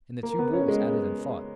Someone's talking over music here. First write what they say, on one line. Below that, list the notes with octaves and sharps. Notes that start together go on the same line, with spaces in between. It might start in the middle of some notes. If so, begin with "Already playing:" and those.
And the two bulls at it and fought.
A#3
B3
C#4
G#3